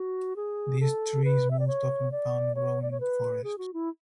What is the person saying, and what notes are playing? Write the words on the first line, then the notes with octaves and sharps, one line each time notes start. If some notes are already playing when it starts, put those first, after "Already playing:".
This tree is most often found growing in forests.
Already playing: F#4
G#4
A4
B4
E5
D5
C#5
D5
C#5
D5
C#5
B4
G#4
F#4
E4